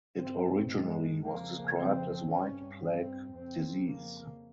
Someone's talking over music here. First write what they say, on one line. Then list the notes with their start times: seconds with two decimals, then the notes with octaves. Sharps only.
It originally was described as white plague disease.
0.18 G2 C4
0.71 G#3
1.24 F2 C#3 A#3
1.77 C4
2.29 G2 C#4
2.82 C4
3.34 F2 C#3 C4
3.88 A#3